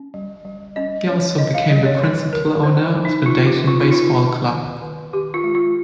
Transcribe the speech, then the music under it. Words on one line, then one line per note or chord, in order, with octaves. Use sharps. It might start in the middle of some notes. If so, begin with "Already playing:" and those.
He also became the principal owner of the Dayton baseball club.
Already playing: C#4
G3
G3
C#4 D#5
C#4 C#5
D#3 D#5
F5
G3 D#5
C#5
D#3
D#3 A#4
C#4 C5
D#3
D#4
D#3 F4
G4
D#3
F4
D#4
D#3 F4
D#3
D#3
D#3
D#3 G4
F4
G#3
F4